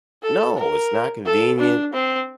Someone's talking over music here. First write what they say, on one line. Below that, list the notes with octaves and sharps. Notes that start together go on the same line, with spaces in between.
No, it's not convenient
A4
A#4
A4
D4
C4